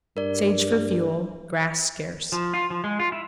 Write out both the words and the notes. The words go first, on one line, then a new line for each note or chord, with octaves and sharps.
Sage for fuel; grass scarce.
G2 A#4 D5
F3
F4
F3
G#3
F4
E4